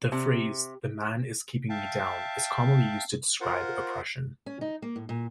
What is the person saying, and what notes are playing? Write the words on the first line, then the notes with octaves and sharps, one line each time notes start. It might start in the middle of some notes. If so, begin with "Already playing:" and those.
The phrase "the Man is keeping me down" is commonly used to describe oppression.
C3
E5 F5 G5 A5
F4 A#4 C5 F#5
C#4
D#4
A#3
A2
A#2